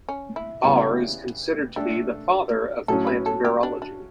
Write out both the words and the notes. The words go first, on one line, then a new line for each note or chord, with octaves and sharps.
Baur is considered to be the father of plant virology.
C#4
E4
C#3 G3 B3 E4 F#4
A3 D4 G4 A4
A2 F#3 C#4 A4
B4
A4
G4
D4
D4